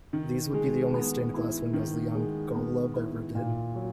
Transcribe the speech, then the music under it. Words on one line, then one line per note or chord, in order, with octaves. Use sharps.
These would be the only stained glass windows Leon Golub ever did.
D#3
G#3
B3
E4
D#3
G#3
B3
E4
A#2
F#3